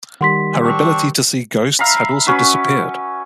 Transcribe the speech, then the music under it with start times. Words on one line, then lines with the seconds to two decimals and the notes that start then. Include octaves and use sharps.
Her ability to see ghosts had also disappeared.
0.21 D#3 G3 F#5 C6 B6
0.63 C4 D4 C#6
1.79 E5 F5 A#5 B5
2.27 C#4 F#4 B4